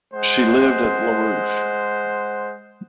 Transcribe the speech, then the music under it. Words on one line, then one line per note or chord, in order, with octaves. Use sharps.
She lived at La Ruche.
G#3 C5 F#5